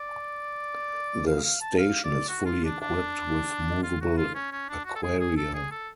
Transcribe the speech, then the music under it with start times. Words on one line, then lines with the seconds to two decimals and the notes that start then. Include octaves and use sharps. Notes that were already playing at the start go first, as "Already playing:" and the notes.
The station is fully equipped with movable aquaria.
Already playing: D5
1.27 F5
1.44 F5
1.61 A5
1.79 F5
2.04 D5
2.29 F#4
2.46 F4
2.64 D4
2.81 D4
3.83 F4
4.01 F#4
4.17 F4
4.35 C#4
4.52 C#4
4.69 D4
4.85 F#4
4.96 A4
5.03 G#4
5.20 G#4
5.37 A4
5.54 G#4
5.71 A4